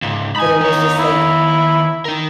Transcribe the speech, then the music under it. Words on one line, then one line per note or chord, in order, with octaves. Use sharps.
but it was just like
C#2 G#2
D#4 G#5 B5
D#3 C#5
E4
D#4 A#4